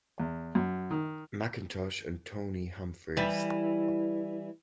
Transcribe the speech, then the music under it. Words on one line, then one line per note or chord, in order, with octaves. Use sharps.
Mackintosh and Tony Humphries.
E2
F#2
D#3
E3 G3